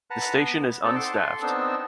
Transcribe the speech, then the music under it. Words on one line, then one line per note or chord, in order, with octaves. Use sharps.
The station is unstaffed.
B4 F#5 A5 A#5
B3
C4 D#4 A4 D5 E6
F#5 A5 C6 D6
A4 C6
B3 C4 D4 D#4 A5 E6